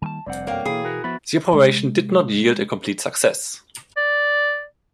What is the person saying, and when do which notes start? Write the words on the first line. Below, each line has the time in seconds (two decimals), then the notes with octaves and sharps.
The operation did not yield a complete success.
0.02 D#3 G3 A#3 G#5 A5
0.26 F1 G2 C4 D5 F#5
0.47 F2 B2 A#3 C#5 F5 G5
0.65 B2 E3 A#3 E4 G#4 B5
0.84 F#4 A#4
1.04 F3 B3 F#4 E5 B5 A6
1.51 C3 G#3
3.97 D5